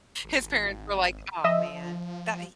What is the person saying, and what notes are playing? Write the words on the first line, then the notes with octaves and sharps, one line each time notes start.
His parents were like, "Aw, man, that he
G#1
F3 D#5 E5 E6